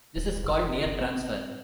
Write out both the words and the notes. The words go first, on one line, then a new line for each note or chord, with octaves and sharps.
This is called near transfer.
D1
F#1
G1
C4